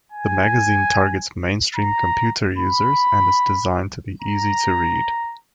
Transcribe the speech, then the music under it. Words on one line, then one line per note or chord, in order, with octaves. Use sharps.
The magazine targets mainstream computer users and is designed to be easy to read.
G#5
A#5
B5
A#5